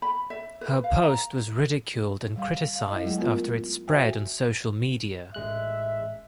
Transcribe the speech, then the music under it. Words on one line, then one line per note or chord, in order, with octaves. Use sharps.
Her post was ridiculed and criticized after it spread on social media.
B5
E5
B4
F5
A#5
G3 F5
F5
E4 D#5
F#3 G#3 A3 G#4
B3 F4 A#4
F#4 C5 E5 G5 G#5
A1 G#3 E5 F#6